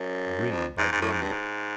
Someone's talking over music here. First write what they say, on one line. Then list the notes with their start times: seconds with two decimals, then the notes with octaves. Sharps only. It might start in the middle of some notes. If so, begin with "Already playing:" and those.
Green by Drumleck.
Already playing: F#2
0.51 F2
0.78 G#2
0.92 G#2
1.02 A2
1.12 G#2
1.22 G2
1.32 G#2